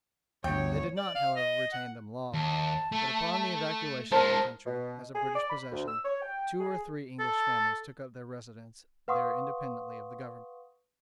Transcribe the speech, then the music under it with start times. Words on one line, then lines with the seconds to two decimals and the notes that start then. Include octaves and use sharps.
They did not, however, retain them long; but, upon the evacuation of the country as a British possession, two or three English families took up their residence there independently of the Government.
0.44 G1 D2 C#5 G5
0.97 D5
1.15 F5
1.37 D#5
1.73 F#5
2.33 D#2 A5
2.92 A3
4.12 G#3 E4 A#4 C5 A5
4.65 B2
5.15 G#4
5.36 D5
5.49 B5
5.72 D2
5.88 E6
6.05 C#5
6.22 G5
6.60 G#4
7.20 A4
9.08 B4 F5 F#5 C6 C#6 D#6